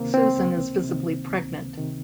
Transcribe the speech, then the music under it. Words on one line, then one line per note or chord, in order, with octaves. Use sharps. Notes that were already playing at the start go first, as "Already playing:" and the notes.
Susan is visibly pregnant.
Already playing: C#2 C3 D#3 A#3 C4
C4
C#2
C3 D#3
C#2
C3 D#3